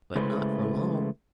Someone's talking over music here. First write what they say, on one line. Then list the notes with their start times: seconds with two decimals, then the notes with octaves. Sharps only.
But not for long.
0.15 C#3 G#3 A3 E4 B4 C5